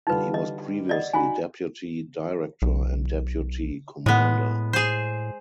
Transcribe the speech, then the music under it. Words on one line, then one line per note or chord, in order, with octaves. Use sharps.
He was previously deputy director and deputy commander.
D3 G3 D#4 F4 B4
D#5
D5 D#5 F#5
D#4 F#4 G#5 B5
B1
A2 G#3 B3
G#4 C5